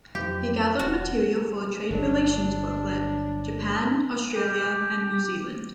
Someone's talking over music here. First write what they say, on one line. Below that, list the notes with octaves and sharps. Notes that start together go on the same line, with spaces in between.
He gathered material for a trade relations booklet, "Japan, Australia and New Zealand".
F2 F#3 G4
E1 F#4
G1 F#3 D4
G4